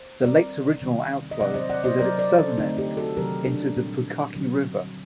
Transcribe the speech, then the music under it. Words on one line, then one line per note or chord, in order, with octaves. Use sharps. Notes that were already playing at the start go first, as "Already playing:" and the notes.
The lake's original outflow was at its southern end, into the Pukaki River.
Already playing: C5
D#3 G3 C4 A#4 D5
C3 D#3 G3 A#3
D#5
C3 F#3 C4 D5 F#5
C5 D#5
D5 F#5
C5 D#5
C3 F#3 A#3 A#4 D5
A#4 D5
A4 C5
D3 A3 C4 D#4
D#4 G4
F#4 A4
C3 D#3 F#3 G4 A#4
D4
A#2 G3 C4
D3 F#3 C4